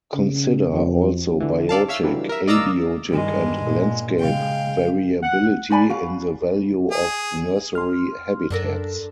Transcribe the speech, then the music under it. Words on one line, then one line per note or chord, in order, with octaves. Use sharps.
Consider also biotic, abiotic and landscape variability in the value of nursery habitats.
C#3
F2
D3 E3
A4 D5 F5 A5
C#5 E5 F5 E6 F6
D3 E3 F#3 G3
A#4 E5
D5 D#5 F5 A#5 D6 E6
G2 D#3 G3 G#3
A#2
C#3 G#3 F5 G5
F#5
D#4 D5 G#5 B5
F#4 F5
G#4
C6 F6
F#2 D4 A4 A#4